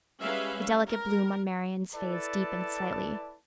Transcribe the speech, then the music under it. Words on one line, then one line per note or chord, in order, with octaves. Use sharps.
The delicate bloom on Marian's face deepened slightly.
G3 G#3 C#4 B4 E5 F5
A#4
E4 A4 B4 D5 A5